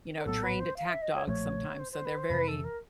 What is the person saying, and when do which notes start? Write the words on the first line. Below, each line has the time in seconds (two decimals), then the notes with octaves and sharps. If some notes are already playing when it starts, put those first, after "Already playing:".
you know, trained attack dogs sometimes, so they're very
0.17 A#4
0.25 A#1 A2 F#3 B3 A4
0.43 B4
0.59 C5
0.77 F5
0.89 E5
1.02 D#5
1.15 C#5
1.27 B1 A#2 F3 A3 C#5
1.79 C5
1.92 C5
2.05 B4
2.17 C5
2.29 F2 C3 E3 B4
2.48 A4
2.64 A#4